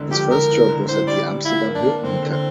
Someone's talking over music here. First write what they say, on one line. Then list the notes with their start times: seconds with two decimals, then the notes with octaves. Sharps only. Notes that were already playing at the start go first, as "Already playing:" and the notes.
His first job was at the Amsterdam Hilton Hotel.
Already playing: E1 D3
0.11 F3 G4
0.30 D3 A#4
0.50 E2
0.69 D3
0.88 A2 C5
1.07 G3 D5
1.26 G3
1.45 E4 F4
1.64 A#3
1.75 D4
1.84 A#3
2.03 D3 C4
2.22 D3
2.32 C4